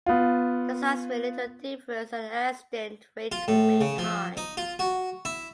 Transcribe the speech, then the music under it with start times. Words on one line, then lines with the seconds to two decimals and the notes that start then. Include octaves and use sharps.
The signs made little difference and the accident rate remained high.
0.06 B3 F4
3.32 F4
3.48 A2
3.81 C#3
3.98 F3
4.37 D#4
4.57 F4
4.79 F#4
5.25 E4